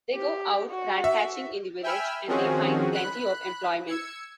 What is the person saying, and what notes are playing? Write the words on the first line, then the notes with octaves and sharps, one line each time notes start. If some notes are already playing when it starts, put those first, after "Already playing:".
They go out rat-catching in the village, and they find plenty of employment.
G4
F#4
E5
E5 G5 G#5 B5 E6 F6
D#3 F3 C4 C#4 F#4 G#4
B5 F#6
E6 G#6 C#7